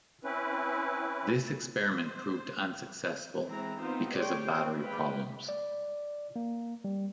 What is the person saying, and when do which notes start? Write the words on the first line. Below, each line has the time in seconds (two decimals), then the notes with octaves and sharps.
This experiment proved unsuccessful because of battery problems.
0.24 C4 C#4 E4 B4
1.95 C5
3.46 E3 G#3 C4 A#5
3.80 B3 C4 D#4 F4 C5
4.13 G#3 G4 C#5 D5 G5 C6
4.51 C4
4.83 G#3 B4 F5 G5 B5
5.49 D5
6.36 A#3
6.84 G3